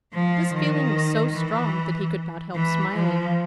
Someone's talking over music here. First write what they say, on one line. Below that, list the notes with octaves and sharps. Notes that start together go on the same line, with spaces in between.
This feeling was so strong that he could not help smiling.
F3
D#3
E3
E3
F3